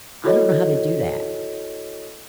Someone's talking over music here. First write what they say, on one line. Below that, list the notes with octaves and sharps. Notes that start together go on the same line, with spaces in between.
I don't know how they do that.
E4 F#4 A4 C#5 D#5